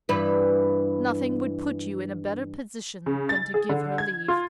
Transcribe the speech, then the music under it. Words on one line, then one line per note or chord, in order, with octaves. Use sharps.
"Nothing would put you in a better position than to give her leave."
G2 E3 B4
C#3
A6
G#4
D3
G#6
F4